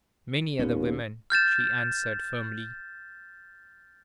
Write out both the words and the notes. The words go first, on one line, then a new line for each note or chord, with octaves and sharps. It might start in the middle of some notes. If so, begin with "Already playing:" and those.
"Many other women," she answered, firmly.
D#1 D#2 B3 C#4
F6 G6 A6 E7